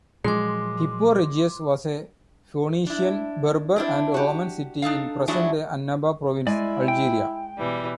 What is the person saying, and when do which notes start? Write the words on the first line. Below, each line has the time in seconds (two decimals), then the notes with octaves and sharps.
Hippo Regius was a Phoenician, Berber and Roman city in present-day Annaba Province, Algeria.
0.24 A#2 F3 F#3 G#3 C6 D6
2.86 D4 E4
3.76 C4 D4 E4
4.14 F#4 G4
4.82 D4 D#4 A4 F5
5.28 E3 F#3 G#3 D4 E4 F#4
6.47 G#3 E4 D5 G#5
6.88 G5
7.58 B2 E3 G3